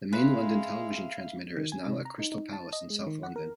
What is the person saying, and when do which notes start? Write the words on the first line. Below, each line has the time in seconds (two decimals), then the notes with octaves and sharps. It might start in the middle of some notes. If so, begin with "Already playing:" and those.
The main London television transmitter is now at Crystal Palace in south London.
0.13 G#3 B4 E5 F5
1.57 D#3
1.72 G#5
1.87 C3
2.05 A#5
2.19 D#4
2.32 D#4
2.53 A5
2.73 D#5
2.90 G#3
3.07 D#3
3.23 F#5
3.36 A#4